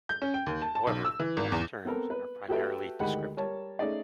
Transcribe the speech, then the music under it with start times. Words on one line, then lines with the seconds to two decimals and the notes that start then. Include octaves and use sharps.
However, both terms are primarily descriptive.
0.09 G6
0.22 C#4
0.34 G5
0.46 D#2
0.62 A5
0.75 A5
0.87 B1
1.05 E6
1.20 E3
1.37 G#1
1.52 E2
1.85 B3 C4 A4 A#4
2.10 B4
2.48 F#4 G4 A4 B4 E5 G5
2.99 D2 D#3 G#3 G4 F#5 B5
3.37 G3 A#4 C#5 A5
3.79 A3 C#4 D#4 G#4 D5